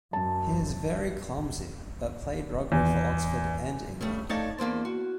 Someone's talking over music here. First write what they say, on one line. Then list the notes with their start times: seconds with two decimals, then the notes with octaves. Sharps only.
He is very clumsy, but played rugby for Oxford and England.
0.13 F#2 A5
2.72 E2
4.01 C#3 G3 A3
4.29 A3 D#4 C#5 D5 F5 A5
4.58 E2 A#3 D4 C5
4.85 F#4